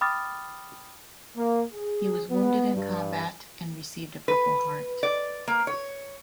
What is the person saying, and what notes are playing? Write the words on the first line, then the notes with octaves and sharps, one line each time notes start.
He was wounded in combat and received a Purple Heart.
G5 B5 D6 D#6 F6 A6
A#3
G#4
B3
G2
B4
D5
A#3
C#5